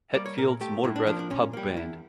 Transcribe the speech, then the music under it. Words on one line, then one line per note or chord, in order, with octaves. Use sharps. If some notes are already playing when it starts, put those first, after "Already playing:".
Hetfield's Motorbreath Pub Band.
G3 A#3 D5
C#5
A#2 A#4
A3 G4
A2 E4
D4
F3 A#3 D4
D4
A#2 C#4
G3 A#3
E2 E4